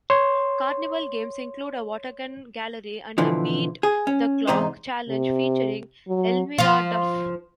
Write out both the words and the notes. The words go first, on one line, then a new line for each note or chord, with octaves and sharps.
Carnival games include a watergun gallery and a beat-the-clock challenge featuring Elmyra Duff.
C#5 C6
B2 D3 E3 F3
G#4
C#4
E2 G#2 C3 D#4 C5
C3
F#3
F3 F4